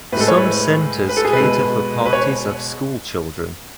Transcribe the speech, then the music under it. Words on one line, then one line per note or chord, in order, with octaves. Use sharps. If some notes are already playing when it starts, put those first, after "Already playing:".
Some centres cater for parties of school children.
A2 G#3 A4 B4
C#5
B4
B4
A4
G#4
B4
B2 G#3
B4
C#5